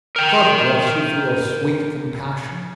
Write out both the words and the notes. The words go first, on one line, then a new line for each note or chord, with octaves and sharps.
"God bless you for your sweet compassion!"
A#4 G5